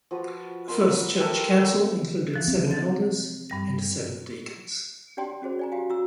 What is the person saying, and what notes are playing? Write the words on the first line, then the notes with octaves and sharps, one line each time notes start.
The first church council included seven elders and seven deacons.
F3 F#4 B4
A#4 D#5 B5 C6
G4 A4 A#4
E3 F3 F#6
C4
A6
G2 G3 A#6
D4 G4 D5 G5 A5 C6
C#4 F#4 G#4 C5
D5 G#5 A#5
F#4 G4 F5 G#5
F#4 A#5 E6